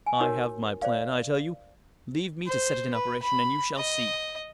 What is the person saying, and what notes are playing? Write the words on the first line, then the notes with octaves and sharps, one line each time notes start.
"I have my plan, I tell you; leave me to set it in operation, and you shall see."
G#5
D#4 F#4 A#4 C#5
C5 D5 F5
C5
B4
B5
D#5